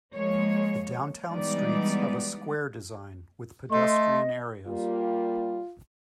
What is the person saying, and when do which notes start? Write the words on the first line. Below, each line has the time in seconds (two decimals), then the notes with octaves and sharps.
The downtown streets have a square design, with pedestrian areas.
0.13 F3 G#3 A#3 C#5
1.30 E3 G3 G#3 B3 D#4 D5
3.71 A3 D#5 C6
4.67 G3 A#3 F4